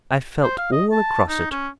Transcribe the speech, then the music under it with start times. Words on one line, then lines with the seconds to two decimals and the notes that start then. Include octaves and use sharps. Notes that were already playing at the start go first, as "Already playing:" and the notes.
I felt all across it.
0.43 C5
0.58 F5
0.72 D#5
0.92 A5
1.29 D#4
1.51 C#4